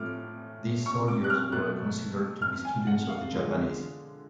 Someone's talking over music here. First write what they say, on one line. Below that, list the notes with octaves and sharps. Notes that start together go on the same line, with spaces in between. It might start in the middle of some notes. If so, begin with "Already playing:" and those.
These soldiers were considered to be students of the Japanese.
Already playing: A2 F3 A3 D6 F6
C#6
D6
F#6
F6
B2 F#3 A3 F#6
F6
G#5
F#5
F5
D3 F3 G#3